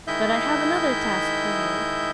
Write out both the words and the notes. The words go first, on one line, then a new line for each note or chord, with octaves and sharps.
But I have another task for you.
D#3 G#3 E4 D#5 E5 G6